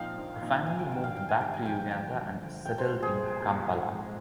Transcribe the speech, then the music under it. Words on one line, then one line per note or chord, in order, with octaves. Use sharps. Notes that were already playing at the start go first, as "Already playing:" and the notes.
Her family moved back to Uganda and settled in Kampala.
Already playing: A#2 F3 C4 D#4 F5 G5
A#1
A#2 F3 C4 D#4
G#2 G#5
G5
D#3 G3 D4 G5
F5
G#2 G5
G#5
D#3 G3 D4 G5
G#5
F2 G5
D3 F3 G5
F2
D3 F3
C2 G5
C5
A#2 G3 A#3
G#4
C2
A#2 G3 A#3
G#2
F3 G#3 C4